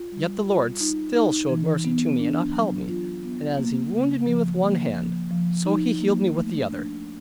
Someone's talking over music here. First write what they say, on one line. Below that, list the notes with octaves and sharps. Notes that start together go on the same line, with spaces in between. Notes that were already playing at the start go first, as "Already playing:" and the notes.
Yet the Lord still showed mercy to me, and upheld me; and as He wounded me with one hand, so he healed me with the other.
Already playing: F4
G3
F4
D#4
D#4
E3
B3
D4
F#3
F4
B3
A#3
C#3
F3
A#3
F3
F3
D#4
A#3
A3
D4